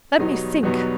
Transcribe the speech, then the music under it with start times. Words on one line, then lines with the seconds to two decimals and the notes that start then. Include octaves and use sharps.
"Let me think."
0.18 E2 B2 F#3 G3 B3 D#4
0.63 E2 B2 F#3 G3 B3 D#4